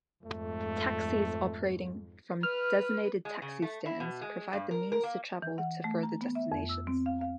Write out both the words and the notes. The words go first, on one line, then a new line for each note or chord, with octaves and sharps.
Taxis operating from designated taxi stands provide the means to travel to further destinations.
F2 G#2 A3
B4 F6
G#3
C#3
A3
E4
B2
G#3
G2
A#4
A#4
A#3
E3
F#5
A3
A#5
B3
E5
F2
E6
C4
F5
F5